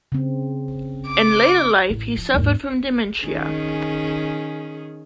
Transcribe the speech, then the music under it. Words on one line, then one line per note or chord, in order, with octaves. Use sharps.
In later life he suffered from dementia.
C#3 C4
D6
A1
F3
D#2 G#2
D#3 C#4 G#4